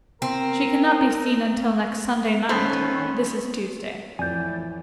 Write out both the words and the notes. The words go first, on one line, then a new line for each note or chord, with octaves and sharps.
She cannot be seen until next Sunday night; this is Tuesday.
C4 A#4
D#3 A#3 B3 C#4 A4 C5 C6
F2 A2 E3 F3 D5 G#5 G6